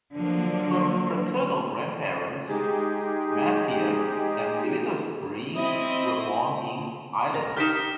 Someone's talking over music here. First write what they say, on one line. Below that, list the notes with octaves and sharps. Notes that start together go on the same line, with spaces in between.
Her paternal grandparents Matthias and Elizabeth Breen were born in Ireland.
D3 F3 F#3 A#3
G#3 D#4 G4 G#4
C4 E4 D#5
A#4
D#4 G4 F6 B6 E7